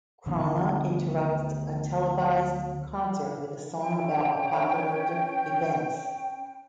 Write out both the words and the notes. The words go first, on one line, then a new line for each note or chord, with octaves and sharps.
Chroma interrupts a televised concert with a song about apacolyptic events.
D2 D3 A3 B3
C#4 G5